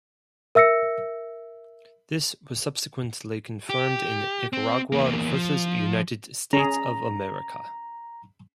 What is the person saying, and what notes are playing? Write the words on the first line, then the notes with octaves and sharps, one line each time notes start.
This was subsequently confirmed in "Nicaragua versus United States of America".
A#4 E5 E6 A#6 C#7
G4
C4
E2 A#3
F3
C#4 G#4 A#5